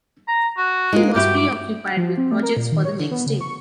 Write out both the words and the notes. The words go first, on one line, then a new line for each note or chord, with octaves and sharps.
He was preoccupied with projects for the next day.
A#5
F#4
G#3 A#3
G2 E4 F#4 G4
D6
F#5
F3
C4
A3
A#4
A#2
D#3
C#5
D3
B3
C#3
C#6